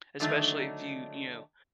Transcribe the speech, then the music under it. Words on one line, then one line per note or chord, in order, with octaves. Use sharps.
Especially if you, you know
D3 D#3 F#3 A3 D4 D#4